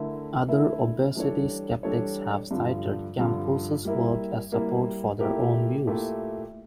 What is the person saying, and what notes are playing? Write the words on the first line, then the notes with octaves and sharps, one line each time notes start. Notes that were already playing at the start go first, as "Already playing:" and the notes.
Other obesity skeptics have cited Campos's work as support for their own views.
Already playing: D3 A3 E4 A#4 E5
D3 A3 E4 A#4 E5
E3 G3 D4 A4 C#5
E3 G3 D4 A4 C#5
G2 D3 F3
G2 D3 F3
G3 A#3 E4 A#4
G3 A#3 E4 A#4
A#2 A3 E4 G4 A#4
A#2 A3 E4 G4 A#4